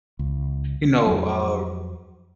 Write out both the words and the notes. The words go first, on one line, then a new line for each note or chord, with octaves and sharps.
you know, uh,
C#2
F2 F#3